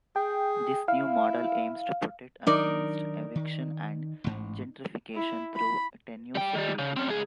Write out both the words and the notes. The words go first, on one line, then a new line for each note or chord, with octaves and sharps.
This new model aims to protect against evictions and gentrification through tenure security.
G#4 G5
E4 F5
D#3 F#3 D4 D#4 A#4 D5
D#3
A1 G#2
E4
B5
G3 G5
D#3 G3
C#3
C4 C#4
C#2 G#4